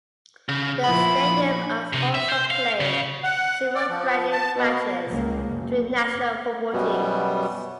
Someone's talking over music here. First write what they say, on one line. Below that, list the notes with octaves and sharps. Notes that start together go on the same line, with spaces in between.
The stadium has also played several friendly matches between national football teams.
C#3
A#2 F3 E4 B5
D4
C3
E5
C5
F5
C#3
F#5
D5
F3
A5
B2
C#2 A#3
F#1
F#2 B2 G3 B3